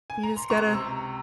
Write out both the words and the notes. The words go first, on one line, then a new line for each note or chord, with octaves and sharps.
you just gotta
G#5
A#5
C6
C#2 A#5 C#6
C3
C6 E6
C3